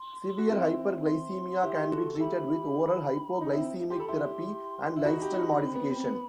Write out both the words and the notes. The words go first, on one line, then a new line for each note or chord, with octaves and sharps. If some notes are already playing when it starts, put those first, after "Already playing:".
Severe hyperglycemia can be treated with oral hypoglycemic therapy and lifestyle modification.
Already playing: C6
F#4
C4 E4
C6
E4 G4
F#4 A4
A4
E4 G4 B5
D#4
C4 E4
G4 C6
A4 B5
E4 G4 C6
E4
D#4 F#4 B5
G4
D#4 F#4
C4
B3
C4
B3